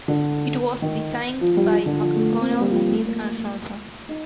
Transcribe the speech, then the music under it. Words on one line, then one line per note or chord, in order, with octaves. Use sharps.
It was designed by McConel Smith and Johnson.
D3
D#3
F3
G3
F3
D3
F3
A3
A#3
C4
A#3
G3
F3
G3
A3
A#3
D#4